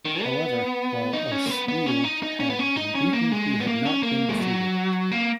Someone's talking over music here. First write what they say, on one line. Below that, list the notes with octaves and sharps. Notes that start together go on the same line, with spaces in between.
However, while Oswiu had been beaten he had not been defeated.
D#3
B3
D#4
C#4
A#3
B3
B3
C#4
D#4
D#4
C#4
B3
C#4
D#4
C#4
A#3
G#3
B3
A#3
C#4
A#3
G#3
F#3
A#3